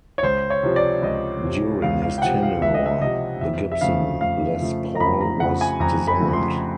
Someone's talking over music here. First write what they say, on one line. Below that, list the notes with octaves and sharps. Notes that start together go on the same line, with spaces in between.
During his tenure, the Gibson Les Paul was designed.
C#5
C#2 C5
C#5
C3 F3
D5
C#2 D#5
C3 F3
C#2 F5
F5
G5
C3 F3 F#5
F5
C#2 E5
D#5
E5
C3 F3 D#5
F2 E5
E5
C#3 F3 A3 F5
F2 F5
C#3 F3 A3
A#5
F2 B5
A#5
C#3 F3 A3 F#5
G#5
F2 A#5
B5
C#3 F3 A3
C6